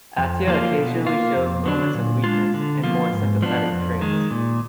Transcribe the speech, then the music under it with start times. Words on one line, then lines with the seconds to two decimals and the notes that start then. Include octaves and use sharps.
Atia occasionally shows moments of weakness and more sympathetic traits.
0.18 F2
0.47 F3 A#3 F4
0.77 B2
1.07 A#3 F4
1.36 F2
1.66 D3 F#3 D4
1.94 A#2
2.24 G#3 D4 F4
2.54 D3
2.84 F3 A#3 F4
3.13 G#2
3.42 F3 B3 D4
3.71 F2
4.01 D#3 G#3
4.31 A#2